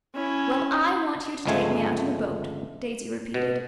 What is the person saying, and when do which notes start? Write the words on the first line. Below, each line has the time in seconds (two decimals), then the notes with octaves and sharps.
"Well, I want you to take me out in a boat!" Daisy repeated.
0.14 C#4 E4
1.45 G1 C#2 F3 G#3 A3 G#5
3.34 B2